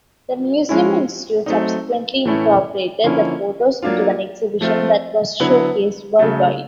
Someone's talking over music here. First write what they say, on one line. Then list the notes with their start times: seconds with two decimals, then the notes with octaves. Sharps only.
The Museum-Institute subsequently incorporated the photos into an exhibition that was showcased worldwide.
0.69 F3 G#3 C#4 E4
1.46 F#3 A3 C4 D#4
2.25 A2 E3 A3 C#4 E4
3.04 D3 F3 A#3 C#4 E4
3.83 F#3 A#3 D4 F4
4.61 F3 A3 C4 F4
5.40 D3 F#3 B3 E4
6.19 C#3 F#3 A3